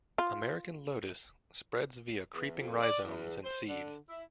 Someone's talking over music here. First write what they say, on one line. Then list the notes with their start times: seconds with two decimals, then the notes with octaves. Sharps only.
American Lotus spreads via creeping rhizomes and seeds.
0.18 F4
2.34 E2
2.55 F2
2.80 D5
3.04 E2
3.43 C5
3.67 D3
4.08 E4